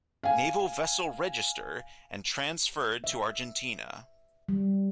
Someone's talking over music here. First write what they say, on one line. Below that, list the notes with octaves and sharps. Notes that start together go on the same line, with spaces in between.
Naval Vessel Register, and transferred to Argentina.
F5 G#5
E5
G3